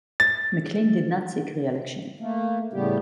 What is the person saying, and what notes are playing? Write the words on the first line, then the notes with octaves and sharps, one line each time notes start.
McLean did not seek re-election.
A6
A3 A#3
A2 C#3 G3 A3 B3 G4